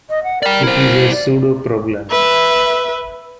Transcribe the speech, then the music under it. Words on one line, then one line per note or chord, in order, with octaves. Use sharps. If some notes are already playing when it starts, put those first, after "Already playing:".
It is a pseudo-problem.
D#5
F#5
A#4 D5 G5
E4 C5
D5
B4 E5